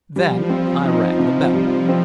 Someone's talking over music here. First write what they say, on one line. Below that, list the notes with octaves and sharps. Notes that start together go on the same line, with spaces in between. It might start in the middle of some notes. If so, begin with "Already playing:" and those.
Then I rang the bell.
F3 G3
C4
D#4
C3
G3
C4